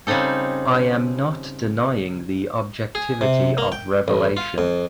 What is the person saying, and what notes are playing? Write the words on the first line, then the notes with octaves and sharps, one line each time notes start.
I am not denying the objectivity of revelation.
C#3 G3 C4 D#4 A4
G#4
C3
A#3
G5
A1
F4
F2